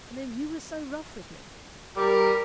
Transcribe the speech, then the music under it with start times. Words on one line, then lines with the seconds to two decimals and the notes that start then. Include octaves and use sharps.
And then you was so rough with me!
1.97 G3 A#4